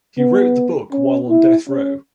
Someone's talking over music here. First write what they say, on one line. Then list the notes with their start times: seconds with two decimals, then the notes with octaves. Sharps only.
He wrote the book while on death row.
0.18 B3
0.92 C#4
1.30 E4
1.68 C#4